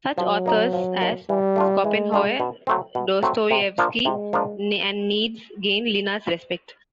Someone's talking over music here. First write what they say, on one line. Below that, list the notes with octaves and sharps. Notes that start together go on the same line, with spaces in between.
Such authors as Schopenhauer, Dostoyevsky, and Nietzsche gained Linna's respect.
F3 F#3
A#3 D#4
F3
A#3 D#4
E3 G3
A3 D4 F4
E3 G#3
A3 D4 F4
B2
F#3 A3 C4
B2
F#3 A3 C4
C3
F3 A#3 D4 F4
C3 G#3
F3 A#3 D4 F4